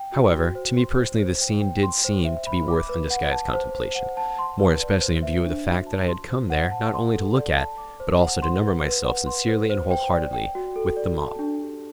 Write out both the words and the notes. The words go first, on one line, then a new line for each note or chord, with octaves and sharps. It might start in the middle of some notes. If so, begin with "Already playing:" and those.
However, to me personally the scene DID seem to be worth undisguised contemplation--more especially in view of the fact that I had come there not only to look at, but also to number myself sincerely and wholeheartedly with, the mob.
Already playing: G5
F#4
F#4
C5
C6
C5
C5
G5
G5
C6
C5
E5
B5
D6
B4
F#5
A5
C5
C5
F#5
A5
C6
B4
D5
C5
E5
D4
F#4
A5
C6
C5
F#5
A5
C6
A4
D5
A5
D6
C5
F#5
C6
B4
B4
F#5
C6
C5
C5
G5
D5
G5
F#4
A4
D5
A5
D4
G4